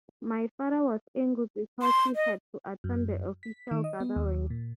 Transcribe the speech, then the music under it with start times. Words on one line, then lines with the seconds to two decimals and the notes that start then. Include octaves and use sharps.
My father was angry because he had to attend the official gatherings.
1.82 C6
2.15 D#5
2.84 F#2
3.43 B6
3.71 D#3
3.84 D#5
4.00 B3
4.16 D#2
4.50 A#2